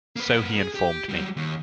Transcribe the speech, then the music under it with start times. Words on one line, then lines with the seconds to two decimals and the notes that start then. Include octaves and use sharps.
So he informed me.
0.16 A#3 B4
0.56 G#4
0.75 G4
1.09 F#3 G3
1.37 D#2